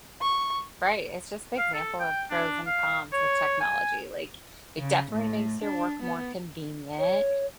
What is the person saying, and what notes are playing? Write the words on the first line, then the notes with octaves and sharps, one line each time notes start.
Right, it's just the example of pros and cons with technology, like, it definitely makes your work more convenient
C#6
F5
A4
G5
D4
F5
C#5
G#5
C#3
A2
D4
B3
C#5